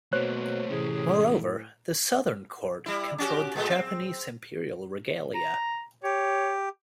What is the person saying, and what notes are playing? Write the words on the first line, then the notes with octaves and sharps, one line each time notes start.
Moreover, the Southern Court controlled the Japanese imperial regalia.
B2 A3 A#3 C5 C#5 F#6
A2 C3 E3 C#4 G#4
G3 E4
C#4 F#4 G4
A#2 G#3 A3
C4
A#5
G4 C#5